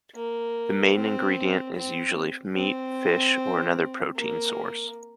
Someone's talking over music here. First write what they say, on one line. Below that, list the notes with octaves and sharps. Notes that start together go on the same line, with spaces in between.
The main ingredient is usually meat, fish or another protein source.
A#3
C4
C4
C4
A#3